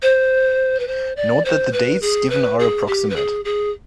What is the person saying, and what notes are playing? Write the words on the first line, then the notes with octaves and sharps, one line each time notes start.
Note that the dates given are approximate.
C5
B4
C5
D5
C5
B4
G#4
B4
G#4
G4
B4
G#4
G#4